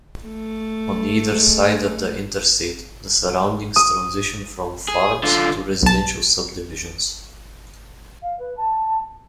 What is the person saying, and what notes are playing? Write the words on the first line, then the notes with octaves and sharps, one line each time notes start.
On either side of the Interstate, the surroundings transition from farms to residential subdivisions.
A3
G#3
D#6
G#4
D3 F4
B1 A5
F5
B4
A5